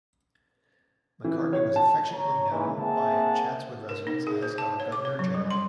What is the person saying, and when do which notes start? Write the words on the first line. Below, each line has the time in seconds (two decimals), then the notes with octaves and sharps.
Macartney was affectionately known by Chatswood residents as "our Governor General".
1.25 E3
1.53 C#5
1.76 A5
2.13 C#5 A#5
2.50 D#3 E3 G#3 A#3 C#4 E4
2.78 A#3 C4 G#4 E5 F#5 A5
3.89 A#4
4.07 D#4
4.27 G#4
4.43 C5
4.58 A5
4.80 C#5
4.92 D6
5.05 C#5
5.19 F#3
5.34 G3
5.51 C6